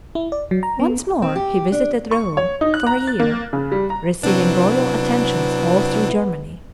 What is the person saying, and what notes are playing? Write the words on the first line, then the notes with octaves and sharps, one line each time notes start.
Once more he visited Rome, for a year, receiving royal attentions all through Germany.
E4
D5
F#3
A#5
B3
C4
G4
D4
C#6
C#5
D#4
F#6
A#5
A6
A#3
C#3
G3
A#5
C3 F#3 B3 C4 D4 E4